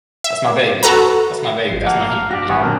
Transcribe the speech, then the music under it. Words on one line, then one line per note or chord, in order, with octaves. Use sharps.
that's my baby, that's my baby, that's my human, you know.
E5
F#4 A4 B4 A#5
G#1 F3 C7
A#3 F#5 A5
F5 A#5
D4 F#4 G4 D5 A#6
G#1 B3 F#5 G#5 C#6
B1 A#2 D3 C4 A#4 C5 A5